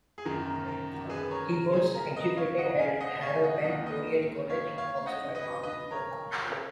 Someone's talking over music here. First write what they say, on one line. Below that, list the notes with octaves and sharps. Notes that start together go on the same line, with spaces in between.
He was educated at Harrow and Oriel College, Oxford.
G#4
F#2 D#3 A#4
A#4
A#4
G#4 B4
A#4 C#5
A#4
G#4
A#4
B4 D#5
C#5 F5
D#5 F#5
F5 G#5
D#5 F#5
C#5 F5
G#5
D#5 F#5
D#2 D#3 D#5 F#5
B4 D#5
C#5 F5
C#5 F5
D#5 F#5
B4 D#5
B4 D#5
A#4 C#5